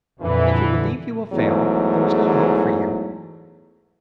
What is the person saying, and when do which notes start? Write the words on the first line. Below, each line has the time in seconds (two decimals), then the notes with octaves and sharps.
If you believe you will fail, there is no hope for you.
0.21 F2 A#2 D3 E3
1.33 E2 G#2 F#3 A3